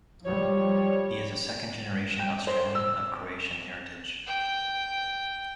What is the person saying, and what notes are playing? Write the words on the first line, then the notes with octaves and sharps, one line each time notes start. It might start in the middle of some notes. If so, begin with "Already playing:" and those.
He is a second generation Australian of Croatian heritage.
F3 G3 C#5
G5
C5
E6
G5